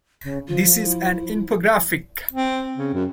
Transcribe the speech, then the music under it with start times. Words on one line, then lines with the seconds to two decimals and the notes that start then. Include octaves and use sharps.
This is an infographic.
0.24 C#3
0.48 F3 F4
0.82 E4
2.33 C4
2.77 C#3
2.94 F#2